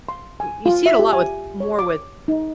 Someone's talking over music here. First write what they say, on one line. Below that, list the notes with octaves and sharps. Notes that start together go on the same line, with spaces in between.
y you see it a lot with more with
C6
G#5
F4
E5
G4
G#5
C#5
D6
D#4